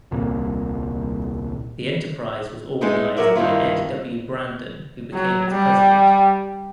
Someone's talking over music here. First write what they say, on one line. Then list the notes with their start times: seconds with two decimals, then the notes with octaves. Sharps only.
The enterprise was organized by Ed W. Brandon who became its president.
0.11 D#1 C2 A#2
2.81 G#3 B3 D#4 E4 D#5
3.17 F#3 A#4 D5 E5
3.35 G2 D#3 E4 F4
5.14 F#3
5.51 G3